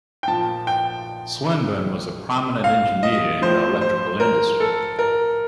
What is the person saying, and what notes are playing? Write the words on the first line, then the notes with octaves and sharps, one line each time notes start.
Swinburne was a prominent engineer in the electrical industry.
G5
A#2 F3 A5
G5
F5
D#5
A2 F3 C5
C5
A#4
A4
A#4